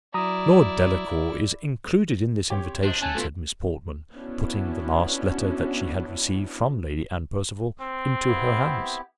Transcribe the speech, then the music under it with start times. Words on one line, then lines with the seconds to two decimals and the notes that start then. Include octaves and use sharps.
"Lord Delacour is included in this invitation," said Miss Portman, putting the last letter that she had received from Lady Anne Percival into her hands.
0.14 F#3 E4 D5 A#5 D#6
2.50 C4 G4 C#5
2.83 F#1 D4 C5 D#5
3.02 A3 C#4 G#5 A5 F#6
3.15 D#2 A3 B3 E4 F4
4.13 B3 C#4 D4 E4 F#4
7.81 C4
8.28 B3 E4 G4